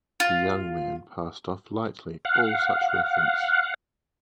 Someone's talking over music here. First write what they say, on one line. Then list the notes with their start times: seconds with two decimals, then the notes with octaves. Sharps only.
The young man passed off lightly all such reference.
0.20 F4
2.25 F5 F#5